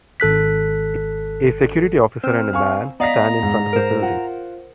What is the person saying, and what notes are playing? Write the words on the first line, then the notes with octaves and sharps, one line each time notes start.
A security officer and a man stand in front of a building.
G#1 A4 F#6 B6
C4 C5 F6
F5 G#5 C#6
B3 D5 D#5 F5 A#5 B6
G#2
A#4 C5
F4 F#5